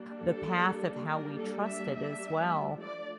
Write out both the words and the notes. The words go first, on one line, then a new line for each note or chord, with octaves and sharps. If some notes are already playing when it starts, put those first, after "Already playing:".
the path of how we trust it as well.
Already playing: G3 A#3 D4
A4
A#4
A4
E5
E5
F3 A3 D4 D5